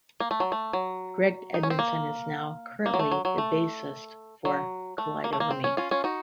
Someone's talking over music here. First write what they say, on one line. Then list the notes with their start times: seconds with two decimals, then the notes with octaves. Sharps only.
Greg Edmondson is now currently the bassist for Collide Over Me.
0.20 A#3
0.31 A3
0.40 F#3
0.52 A3
0.73 F#3
1.54 D#4
1.63 C#4
1.70 C4
1.79 A#3
2.86 A#3
2.94 F#3
2.99 A3
3.11 F#3
3.25 F#3
3.38 A3
4.45 F#3
4.98 A3
5.24 A#3
5.33 A3
5.40 A#3
5.51 C4
5.64 C#4
5.77 C#4 F4
5.91 C#4 F4
6.04 D#4 F#4